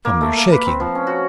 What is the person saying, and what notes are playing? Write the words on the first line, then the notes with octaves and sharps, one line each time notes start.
"Come, you're shaking."
A#3
A3
A#3
B4
C4
F3
C#4
F#4